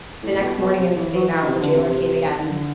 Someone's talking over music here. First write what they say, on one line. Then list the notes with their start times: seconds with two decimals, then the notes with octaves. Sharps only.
The next morning at the same hour, the jailer came again.
0.22 A2
0.40 B2
0.59 B2
0.77 C3
0.96 E3
1.14 F#3
1.32 E3
1.42 D3
1.47 C3
1.61 D3
1.74 C3
1.88 C3
2.43 D3